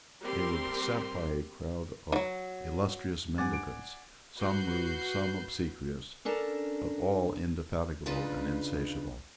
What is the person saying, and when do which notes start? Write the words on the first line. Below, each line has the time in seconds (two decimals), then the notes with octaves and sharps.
They were beset by a crowd of illustrious mendicants, some rude, some obsequious, but all indefatigable and insatiable.
0.22 G3 A#3 C4 G4 A#4 C6
2.12 E3 F#3
3.38 G2 D5 F#5 G#5 D6 A6
3.53 D7
4.39 F#4 B4 G6 C7
6.25 C#4 D4 A4 A#4
8.06 C#3 D4 D#4 F4 B4